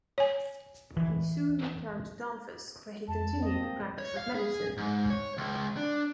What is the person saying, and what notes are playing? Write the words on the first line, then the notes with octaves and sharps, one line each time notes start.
He soon returned to Danvers, where he continued the practice of medicine.
C#5 G#5
E3
F2 A5
A#3 C4 D#5
C#5
F5
G#4
G#2
C#5
C#2
D4